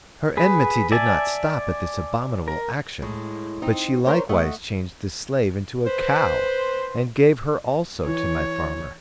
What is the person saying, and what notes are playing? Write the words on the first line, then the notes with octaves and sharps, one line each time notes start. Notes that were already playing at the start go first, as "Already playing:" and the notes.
Her enmity did not stop at this abominable action, but she likewise changed the slave into a cow, and gave her also to my farmer.
G#4 B4
D5 E5 G#5 A5
A#4
A2 G#3
C4 D#4
D4 A#4 C5 C#5
A3 D#5 F#5
B4 C5
E3 C#5